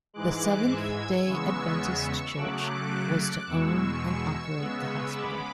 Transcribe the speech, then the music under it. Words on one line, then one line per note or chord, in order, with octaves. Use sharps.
The Seventh-Day Adventist Church was to own and operate the hospital.
G#2 E3 G#3 D6 F#6
E6 G#6
E2 C#3 G#3 B3 C#6 E6
C#3 F#3 A3 D6 F#6
E2 B2 G#3 C#6 E6
C#3 G#3 B3
B5 D6